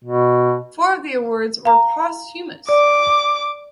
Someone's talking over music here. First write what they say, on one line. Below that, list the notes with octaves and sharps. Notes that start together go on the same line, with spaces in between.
Four of the awards were posthumous.
B2
F5 A#5
D5 D6